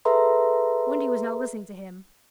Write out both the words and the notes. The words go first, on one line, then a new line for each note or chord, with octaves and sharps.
Wendy was not listening to him.
G#4 A4 B4 E5 A#5 C6